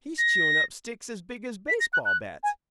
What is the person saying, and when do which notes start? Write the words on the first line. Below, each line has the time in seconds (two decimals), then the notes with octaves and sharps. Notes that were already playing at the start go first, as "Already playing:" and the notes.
He's chewin' up sticks as big as baseball bats!
0.18 A#6
1.68 B6
1.80 A#6
1.93 F#6
2.05 F#6
2.43 G#5